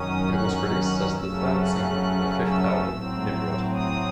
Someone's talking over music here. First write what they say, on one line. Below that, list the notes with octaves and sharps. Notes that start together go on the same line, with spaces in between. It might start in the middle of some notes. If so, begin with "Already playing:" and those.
It was released as the third single from their fifth album, "Nimrod".
Already playing: F#2 D#3 F#3 C#4 D#6
F#6
F#2 C#3 F#3 A3 C#4 E6
F#6
E6
A2 F#3 C4
D#6